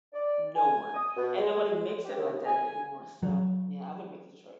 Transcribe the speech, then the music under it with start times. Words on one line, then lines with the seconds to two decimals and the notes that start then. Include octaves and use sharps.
No one. And nobody makes it like that anymore, so, yeah, I wouldn't make the trip.
0.13 D5
0.55 G#5
0.94 D#6
1.17 B2
1.38 G#3
2.05 G4
2.17 D#2
2.33 D#2
2.46 G#5
3.23 F#3